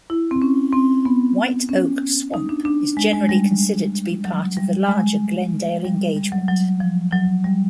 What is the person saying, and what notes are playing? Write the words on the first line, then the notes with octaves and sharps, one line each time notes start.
White Oak Swamp is generally considered to be part of the larger Glendale engagement.
E4
C4
C#4
C4
B3
C#4
D#4
D4
D4
G#3
G#3
G3
F#3
G3
G#3
G3
G3
F#3
F#3
F3
F#3
G3